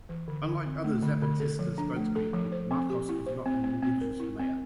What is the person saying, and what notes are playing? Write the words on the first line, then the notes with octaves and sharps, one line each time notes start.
Unlike other Zapatista spokespeople, Marcos is not an indigenous Maya.
E3
D3
D3
C4
A3
D3
D3
A4
F3
D4
A3
A4
F3
C5
C4
G4
E4
C5
C4
C4
C4
A#4
E4
C4